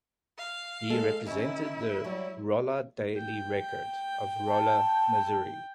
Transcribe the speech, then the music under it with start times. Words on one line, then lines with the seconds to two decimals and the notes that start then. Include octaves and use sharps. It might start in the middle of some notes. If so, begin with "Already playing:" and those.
He represented the "Rolla Daily Record" of Rolla, Missouri.
0.38 F5
0.90 G#3 A4
1.27 D#3 C#4 E4
2.04 F#3 G3
3.18 G5
4.48 A5